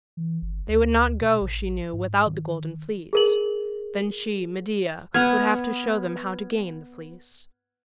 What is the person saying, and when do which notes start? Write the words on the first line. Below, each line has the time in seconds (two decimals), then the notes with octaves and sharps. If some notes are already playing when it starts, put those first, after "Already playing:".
They would not go, she knew, without the Golden Fleece; then she, Medea, would have to show them how to gain the Fleece.
0.17 E3
0.42 G1
0.68 D2
1.21 B2
1.41 A1
1.93 G#2
2.26 D#3
3.13 G#4 A#4 F#7
5.14 B3 F#5 F6 G#6